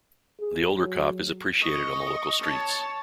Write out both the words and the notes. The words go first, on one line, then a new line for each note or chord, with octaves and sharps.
The older cop is appreciated on the local streets.
G#4
F#3
D#5 C#6
C#5 A5